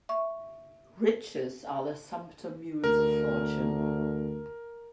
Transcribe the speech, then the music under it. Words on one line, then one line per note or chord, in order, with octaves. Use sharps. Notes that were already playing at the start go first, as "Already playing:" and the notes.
Riches are the sumpter mules of fortune.
E5 C#6
D2 A#4